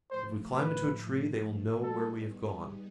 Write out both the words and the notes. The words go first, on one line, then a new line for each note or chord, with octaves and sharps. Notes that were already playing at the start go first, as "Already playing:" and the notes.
If we climb into a tree they will know where we have gone.
A2 F3 A3 C5
B4
G3 B3 D#4 G#4 A4